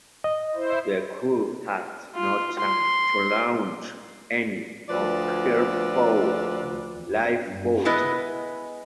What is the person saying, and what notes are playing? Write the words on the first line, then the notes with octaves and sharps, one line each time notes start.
The crew had no time to launch any of her four lifeboats.
D#5
E4 C5
F4
C6
D2 F3 B4 D5
G#3 B3 E4 B4 D#5